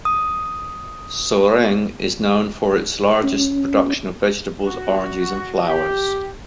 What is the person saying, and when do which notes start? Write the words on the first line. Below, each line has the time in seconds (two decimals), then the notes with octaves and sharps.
Soreng is known for its largest production of vegetables, oranges and flowers.
0.05 D#6
3.23 C#4
4.66 F#4
5.68 G4